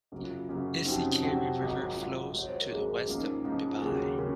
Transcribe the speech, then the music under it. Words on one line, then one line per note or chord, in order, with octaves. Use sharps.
Ishikari River flows to west of Bibai.
F#2 C#3 F#3 A#3
F4
F#2 C#3 F#3 A#3
F2 C3 F#3 C4 D#4 F#4
C#4
D#4
F2 C3 F#3 C4 F#4
G#1 G#2 F#3
G#1 G#2 F#3 F4
G#1 G#2 F#3 C#5
C5
A#4
G#1 G#2 F#3 G#4
A#4
G#2 F3 A#3 C#4
D#4
D#4
G#2 F3 A#3 C#4
D#4
F4
D#2 C#3 F#3 G#4
C#3 F#3 A#4